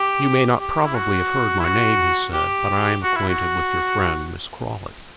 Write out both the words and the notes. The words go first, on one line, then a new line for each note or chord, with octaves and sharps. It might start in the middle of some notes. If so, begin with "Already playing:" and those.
"You may not probably have heard my name," he said, "but I am acquainted with your friend, Miss Crawley."
Already playing: G4
G4
E4
F#4
E4
F#4
G4
F#4
E4
F#4